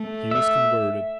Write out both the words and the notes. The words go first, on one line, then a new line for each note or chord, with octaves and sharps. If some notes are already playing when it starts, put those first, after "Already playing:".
He was converted.
Already playing: A3
E5